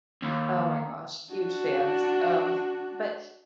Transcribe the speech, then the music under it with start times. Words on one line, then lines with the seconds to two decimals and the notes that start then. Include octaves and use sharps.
Oh my gosh, huge fans, um, but
0.22 D#2
1.35 D4 F#4